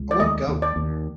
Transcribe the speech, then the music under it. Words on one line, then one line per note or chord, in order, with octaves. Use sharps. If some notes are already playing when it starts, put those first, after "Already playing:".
I won't go!
Already playing: C#2
D5
D#2 D#5
D#2
D5
D#2